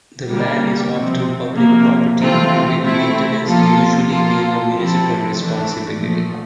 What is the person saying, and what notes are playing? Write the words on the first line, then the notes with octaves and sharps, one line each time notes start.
The land is often public property, with maintenance usually being a municipal responsibility.
D3 G3 A#3
C3 F3 C4
C3 F3 A#3
C3 E3 A3 C4 F4
A3 C4 E4
F3 A#3 F4 A4
F3 A#3 F4 A4
C3 F3 C4 E4 A4
E3 A3 D4
A#2 F3 A3